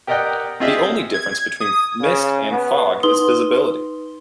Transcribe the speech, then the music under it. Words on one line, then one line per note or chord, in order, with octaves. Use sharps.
The only difference between mist and fog is visibility.
G4 A#4 D5 D#5 F#5 G5
C4 D4 F4 G#4 D#5 E5
G#6
D#6
C#3
B3
D#4 B4 C6 D#6 G7